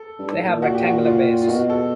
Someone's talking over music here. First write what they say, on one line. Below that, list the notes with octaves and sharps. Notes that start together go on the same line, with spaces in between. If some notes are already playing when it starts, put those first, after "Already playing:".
They have rectangular bases.
Already playing: A4
G2
A2
A#2
F#4
G4
F#4
F4
F4
B2 F#4
A4